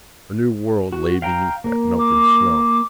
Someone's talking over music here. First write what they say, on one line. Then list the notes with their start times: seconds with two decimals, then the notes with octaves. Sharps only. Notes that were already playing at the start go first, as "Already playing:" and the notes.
A new world lay beneath that melting snow.
0.92 F#4
1.22 F5 G5 A#5
1.64 A#3
1.99 D6